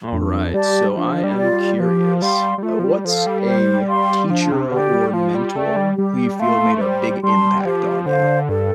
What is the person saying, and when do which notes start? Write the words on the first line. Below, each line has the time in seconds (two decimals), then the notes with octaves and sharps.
Alright so I am curious, uh, what's a, teacher or mentor who you feel made a big impact on ya?
0.12 F2 D4
0.54 G3 G4 D5 A5
0.84 G3
0.96 F3 D4
1.24 G3
1.37 F4 D5
1.52 G3
1.80 F3 G4
2.21 G3 F5 C6
2.58 G3
2.63 A3 F4
2.79 F3
2.84 G3
3.05 F3 A4 F5
3.27 G3
3.46 C5
3.89 F5 C6
4.30 F3 D4
4.52 C3
4.72 D3 G4 D5 G5
4.93 G3
5.13 F3 F4
5.35 G3
5.55 A3 D5 G5
5.77 G3
5.97 G3 G4
6.39 A3 F5 C6
6.81 G3 C5
7.23 G3 A5 C6
7.65 F3 G4
8.06 D3 C5 F5
8.49 G2 A4